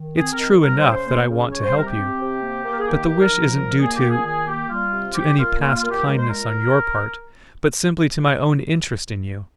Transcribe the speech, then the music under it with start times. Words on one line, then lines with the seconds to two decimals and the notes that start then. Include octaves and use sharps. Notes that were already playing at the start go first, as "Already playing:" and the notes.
It's true enough that I want to help you; but the wish isn't due to...to any past kindness on your part, but simply to my own interest in you.
Already playing: D#3
0.16 C4 G#4
0.31 A#4
0.38 D#3
0.60 G3 A#4
0.76 C5
0.84 C#3
0.91 C5
1.06 A#3 C5
1.28 C#3
1.51 G3 C#5
1.63 C5
1.74 C3 A#4
1.86 G4
1.97 C4
2.20 C3
2.42 A#3
2.64 A#3
2.71 A#4
2.79 G#4
2.87 D#3 G4
3.03 G4
3.11 D#3
3.18 A#4
3.32 F3
3.56 A#2
3.78 A#3 G#4
3.94 G4
4.01 A#2
4.08 G#4
4.24 D#3 G#4
4.46 A#3 G4
4.69 G3 F4
4.91 C3
5.14 G3 G4
5.37 A#2 F4
5.59 A#3 F4
5.74 F4
5.82 A#2
5.90 G4
6.04 G#3 A#4
6.18 C5
6.27 A#2 A#4